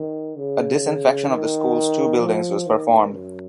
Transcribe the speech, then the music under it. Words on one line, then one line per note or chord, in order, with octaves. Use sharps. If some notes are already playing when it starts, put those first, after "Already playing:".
A disinfection of the school's two buildings was performed.
Already playing: D#3
C#3
D#3
F3
D#3
F#2